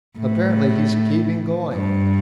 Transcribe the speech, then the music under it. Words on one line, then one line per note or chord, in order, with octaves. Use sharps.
Apparently he's keeping going.
A2
G2